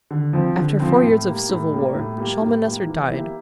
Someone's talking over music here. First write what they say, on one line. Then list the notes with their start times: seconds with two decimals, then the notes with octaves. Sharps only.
After four years of civil war Shalmaneser died.
0.11 D3
0.33 F3 C4
0.56 D3
0.80 F3 C4
1.03 A2
1.26 G3 A#3
1.49 A2
1.72 G3 A#3
1.95 A2
2.18 G3 A#3
2.41 A2
2.64 G3 A#3
2.87 E3
3.10 A#3 E4 G4